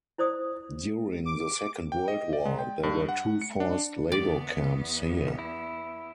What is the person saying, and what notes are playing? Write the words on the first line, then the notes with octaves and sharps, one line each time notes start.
During the Second World War, there were two forced labor camps here.
E4 C5 D5 D#6
D6
G5
D#5
D5
G#3
G5
G2
F#5
C#7
D4
E2 B3 D5
E4